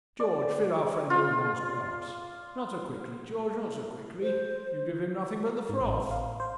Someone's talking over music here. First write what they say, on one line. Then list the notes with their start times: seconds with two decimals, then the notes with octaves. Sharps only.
George, fill our friend Urmand's glass; not so quickly, George, not so quickly; you give him nothing but the froth.
0.20 D5
1.10 F4
4.22 C5
5.69 G#2
5.81 A1
6.11 F5
6.40 C5